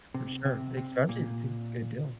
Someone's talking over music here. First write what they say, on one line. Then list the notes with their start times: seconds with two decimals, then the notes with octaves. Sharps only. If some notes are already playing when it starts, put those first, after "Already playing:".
for sure. Especially if it's a good deal.
0.14 C3
0.45 C3
0.77 C3
1.09 A#2